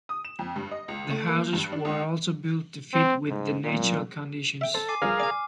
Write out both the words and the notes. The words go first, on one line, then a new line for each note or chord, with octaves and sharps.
The houses were also built to fit with the natural conditions.
D#6
E7
F2
G2
D#5
C#2
A3
A#3
G2
D4
C#2
C4
G#2
A#2
E5 G5
A4 C5
G#5 D6 C7
G2 F3 G#4 A#4 F5 F6
D5 G#5 D6